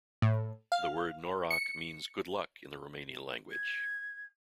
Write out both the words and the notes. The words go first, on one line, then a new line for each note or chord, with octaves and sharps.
The word "noroc" means "good luck" in the Romanian language.
A2
F5
C#7
G#6